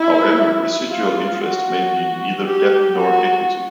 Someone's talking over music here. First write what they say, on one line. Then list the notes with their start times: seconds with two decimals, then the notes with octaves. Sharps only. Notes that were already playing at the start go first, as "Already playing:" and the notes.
However, residual interests may be neither debt nor equity.
Already playing: E4
0.91 F4
1.43 F#4
2.45 G4
2.97 F#4